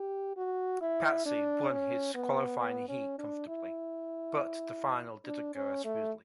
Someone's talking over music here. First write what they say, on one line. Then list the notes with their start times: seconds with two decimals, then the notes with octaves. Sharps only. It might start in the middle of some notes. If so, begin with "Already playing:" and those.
Patsy won his qualifying heat comfortably, but the final didn't go as smoothly.
Already playing: G4
0.37 F#4
0.81 E4
1.25 D4
1.70 C#4
2.14 B3
2.59 B3
2.89 C#4
3.18 D4
3.48 E4
5.25 D4
5.55 C#4
5.84 A3